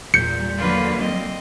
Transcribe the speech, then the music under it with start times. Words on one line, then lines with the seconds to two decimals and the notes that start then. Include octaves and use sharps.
Mm, mhm.
0.14 E2 A#2 G6 C#7
0.58 D3 F#3 A#3 F4 B4
0.99 C4 D#5